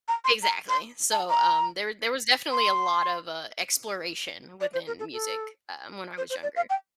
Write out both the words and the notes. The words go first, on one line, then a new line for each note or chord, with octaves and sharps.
Exactly. So, um, there there was definitely a lot of, uh, exploration within music, um, when I was younger.
A#5
C6
A#5
C6
A5
A#5
C6
D5
C5
A#4
A4
A4
C5
C5
D5
F5
G5